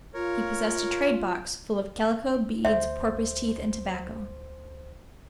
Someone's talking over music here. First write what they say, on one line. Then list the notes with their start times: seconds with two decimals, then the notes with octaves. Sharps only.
He possessed a trade-box full of calico, beads, porpoise-teeth, and tobacco.
0.14 F4 A#4 C#5
2.65 D2 C5 E5